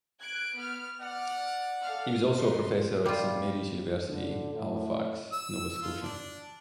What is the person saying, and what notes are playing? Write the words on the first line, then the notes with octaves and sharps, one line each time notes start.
He was also a professor at Saint Mary's University, Halifax, Nova Scotia.
F#6 G#6 D7
B3 F6
D5 F#5 F6
A4 F5 F6
D#4 B4 C6
G3 F4
D3
A2
E6
F4
D4